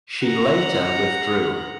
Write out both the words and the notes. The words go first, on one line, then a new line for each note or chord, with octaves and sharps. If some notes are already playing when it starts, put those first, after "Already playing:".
She later withdrew.
F#5 A#5